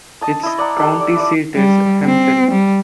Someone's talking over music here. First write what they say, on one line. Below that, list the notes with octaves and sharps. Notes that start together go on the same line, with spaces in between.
Its county seat is Hemphill.
D#5 A5 D#6
E4 D#5
D5 F#5 A#5
G4 A4 F#5
D5
E4 D5
G3
C4
G3